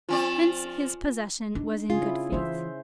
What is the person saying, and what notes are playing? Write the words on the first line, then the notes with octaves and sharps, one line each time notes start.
Hence his possession was in good faith.
F3 C4 F4 D5 G#5
D4 D#4
C#3 C#4 F4 G#4
E4
E3 D#4 C5 E5